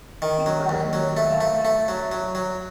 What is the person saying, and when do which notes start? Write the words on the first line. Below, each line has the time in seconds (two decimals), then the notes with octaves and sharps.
Steel production was prioritized.
0.22 D#3
0.46 F#3
0.69 D#2
0.93 F#3
1.17 A3
1.41 A3
1.65 A3
1.88 F#3
2.12 F#3
2.35 F#3